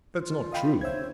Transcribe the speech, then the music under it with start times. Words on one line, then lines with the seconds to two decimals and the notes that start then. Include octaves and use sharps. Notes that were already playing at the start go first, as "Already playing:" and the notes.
That's not true.
0.17 F4
0.52 D#5 F5 G5 B5
0.81 C5 C#5 E5 G#6